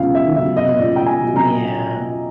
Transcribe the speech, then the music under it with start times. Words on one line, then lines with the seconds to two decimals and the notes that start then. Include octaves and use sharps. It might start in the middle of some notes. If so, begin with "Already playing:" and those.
Mhm. Yeah.
Already playing: C#2 B2 F#3 F5 G5
0.15 E5
0.36 B2 F#3 E5
0.57 D#5
0.79 C#2 D5
0.96 G5
1.06 G#5
1.21 B2 F#3
1.36 A#5